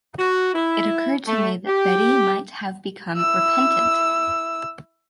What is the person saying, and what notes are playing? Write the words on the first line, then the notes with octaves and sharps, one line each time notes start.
It occurred to me that Betty might have become repentant.
F#4
E4
A3
G4
E4 E6